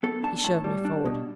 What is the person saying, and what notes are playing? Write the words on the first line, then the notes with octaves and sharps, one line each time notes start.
He shoved me forward.
B3 A4
D4 A5
A2 A5
G3
D4
B2